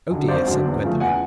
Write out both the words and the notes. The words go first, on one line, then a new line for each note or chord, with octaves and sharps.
"Oh dear!" said Gwendolen.
F#2 D3 F#3
G#1 C5 D5
F#2 D3 F#3
E2
C#3 F3 A3
E2 F#5 G#5